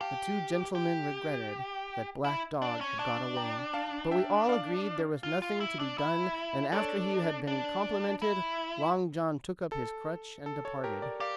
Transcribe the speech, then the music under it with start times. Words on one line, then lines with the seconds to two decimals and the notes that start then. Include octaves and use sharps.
The two gentlemen regretted that Black Dog had got away, but we all agreed there was nothing to be done, and after he had been complimented, Long John took up his crutch and departed.
0.01 G4 F5 A5
0.75 G4
2.24 E4
2.62 D4
2.81 C#4
2.99 D4 A5 C#6
3.37 G5 A#5
3.74 F5 A5
4.11 E5 G5
4.49 D5 F5
5.23 F4
5.42 F4
5.60 E4
5.79 D4
5.98 E4
6.72 D4 A4 C#5
7.47 D4
8.22 E4
9.72 A4
10.46 A4
10.65 A4 C#5
10.84 G4 A#4
11.02 A#4 D5
11.20 G4 D5 F5